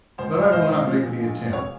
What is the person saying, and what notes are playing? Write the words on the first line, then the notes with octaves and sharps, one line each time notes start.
But I will not make the attempt.
C#2 C5
C#2
F5
C#2 C5 D#5
C#2
F3
A#2
A#1
A#1
C3 C#5